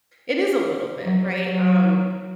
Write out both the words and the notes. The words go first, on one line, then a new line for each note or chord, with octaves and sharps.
it is a little bit, right? Um,
F#3